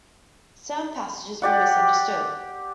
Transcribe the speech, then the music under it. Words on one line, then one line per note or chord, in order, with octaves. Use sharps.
Some passages were misunderstood.
G4 D5 F#5